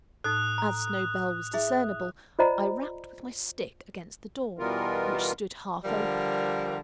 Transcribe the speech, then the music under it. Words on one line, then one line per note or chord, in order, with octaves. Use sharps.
As no bell was discernible, I rapped with my stick against the door, which stood half open.
A2 D#4 A4 D#6 F#6
A#5
E4 G#4 E5
F4 C5 D5 D#5 A#5 B5
B2 E3 G3 B3 F4 A#4
D3 F3 G3 A#4